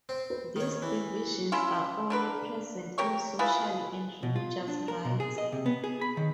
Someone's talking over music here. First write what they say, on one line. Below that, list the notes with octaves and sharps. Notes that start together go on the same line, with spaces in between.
These divisions are only present in social and religious rites.
C4
B4
D#3 C#5
E3
C#4 E4 F4
D3 A#4 B4
G4 A#4 C#5 C#6
E4 F4 G#4 B4
B2
F4
D4
A#4
B2
G#4
D#5
C3
B3
G#4
B5
D#3